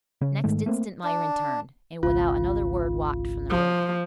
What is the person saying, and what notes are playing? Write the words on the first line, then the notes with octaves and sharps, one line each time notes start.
Next instant Myrin turned, and without another word walked from the room.
C#3 C#4
G#2 D#3 G#3 A3
A3 A#3 C4
D4
G#1 C#2 F4
F3